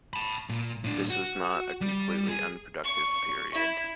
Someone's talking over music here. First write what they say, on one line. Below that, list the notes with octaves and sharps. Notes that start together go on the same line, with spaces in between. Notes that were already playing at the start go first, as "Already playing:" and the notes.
This was not a completely unproductive period.
A5 B5
A#2
A2 D4
F#4
G3
G#4
C#6
E4